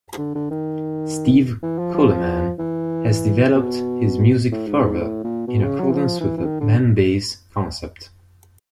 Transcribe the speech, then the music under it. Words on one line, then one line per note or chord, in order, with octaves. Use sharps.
Steve Coleman has developed his music further in accordance with the M-Base concept.
D3
D3
D#3
E3
F3
F3
E3
B2
A2
G#2
G#2
A2
A#2
B2
C#3
F#3
E3
F3
E3
E3
D#3
D3